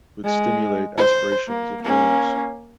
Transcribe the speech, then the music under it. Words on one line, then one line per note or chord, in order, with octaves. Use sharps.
would stimulate aspirations and dreams
G#3
C5
A#3
A#3 C#4